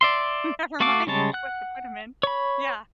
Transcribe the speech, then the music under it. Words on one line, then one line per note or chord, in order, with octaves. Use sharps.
Never mind what to put them in. Yeah.
D5 E5 C6
A3 F#4 A4 F5 D6
C#3 G3 G#3 C#5 A5
F#5 F#6
C#5 B5